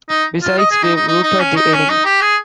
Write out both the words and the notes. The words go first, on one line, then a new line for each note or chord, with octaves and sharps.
Besides, we've routed the enemy.
D#4
F4
D#5
G#4
D#4
D#4
D#4
D#4
C#4
D#4
C#4
D#4
G4
G#4